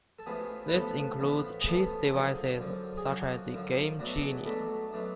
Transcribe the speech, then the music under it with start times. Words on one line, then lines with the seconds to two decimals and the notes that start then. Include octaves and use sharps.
This includes cheat devices, such as the Game Genie.
0.19 A4
0.26 A1 A2 F3 B3 G#4
0.68 B4
0.73 A1 A2 F3 B3 A4
1.20 A1 A2 F3 B3
1.61 G#4
1.66 A1 A2 F3 B3 A4
2.13 F#2 D3 F3 G#4
2.59 F#2 D3 F3
2.97 G#4
3.06 F#2 D3 F3 F#4
3.53 F#2 D3 F3
3.99 B2 F#3 A3 D4 F#4
4.22 G#4
4.46 B2 F#3 A3 D4 A4
4.93 B2 F#3 A3 D4